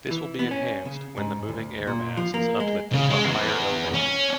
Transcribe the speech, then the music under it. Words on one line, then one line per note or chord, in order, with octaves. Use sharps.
This will be enhanced when the moving air mass is uplifted by higher elevations.
E3
B3
C#4
C#3
G#2
D2
A#2
F3
A#3
G#3
C#3
G#3
E2
C#4